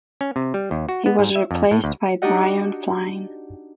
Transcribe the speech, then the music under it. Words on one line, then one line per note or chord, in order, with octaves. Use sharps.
He was replaced by Brian Flynn.
C#4
C3
G3
D#2
F#4
B3
G#2
E5
F2
A2
D2
D4 D#4 F#4 G4 D#5 F#5